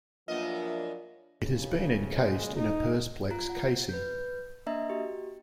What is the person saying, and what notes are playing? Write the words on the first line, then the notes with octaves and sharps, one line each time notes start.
It has been encased in a persplex casing.
F#2 F3 A#3 B3 D4 F4 D#5
D#2 C#3
A#2 C#3 G#3
F2 D#4
F4 A#5
F#5
B4 G6
A#3 D4 D#5 E5 A#5
F#4 G4